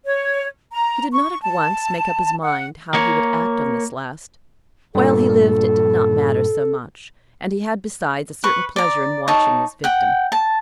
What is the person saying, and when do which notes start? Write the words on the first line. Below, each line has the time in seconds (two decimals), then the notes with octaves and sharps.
He did not at once make up his mind how he would act on this last; while he lived, it did not matter so much; and he had besides a certain pleasure in watching his victim.
0.05 C#5
0.72 A#5
1.12 C#6
1.42 A5
2.42 F#5
2.94 A#3 C#5
4.95 G2 A#2 A4
8.44 B4 C#6
8.76 D5 A#5
9.28 D#4 C#5 A5
9.84 F#5 G5
10.32 A5